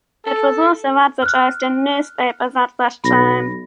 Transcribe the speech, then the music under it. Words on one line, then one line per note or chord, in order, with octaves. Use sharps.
It was also advertised in newspapers at that time.
A4
F6 F#6
B1 B5 A#6